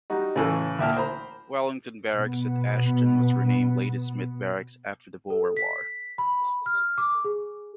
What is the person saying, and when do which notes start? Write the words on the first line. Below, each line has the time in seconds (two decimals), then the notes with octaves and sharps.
Wellington Barracks at Ashton was renamed Ladysmith Barracks after the Boer War.
0.10 G3 D#4 F#4
0.36 A2 C#3 E3 A4
0.79 D2 A#2 E5 G5 A5 F6
0.97 C5 A#5 B5
2.13 B2 B3
5.30 A4
5.57 B6
6.18 B5
6.66 F6
6.98 D6
7.25 G#4